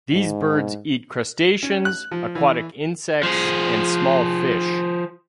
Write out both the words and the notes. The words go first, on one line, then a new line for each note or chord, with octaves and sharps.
These birds eat crustaceans, aquatic insects, and small fish.
G#2
C#4
F#6
F3
E3
F3 G#4